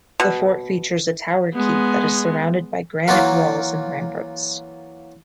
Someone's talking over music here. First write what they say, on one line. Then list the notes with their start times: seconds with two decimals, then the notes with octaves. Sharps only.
The fort features a tower keep that is surrounded by granite walls and ramparts.
0.20 B2
1.54 G#3 B3
3.08 E3 F#3 A#3 F4 F#4 A#4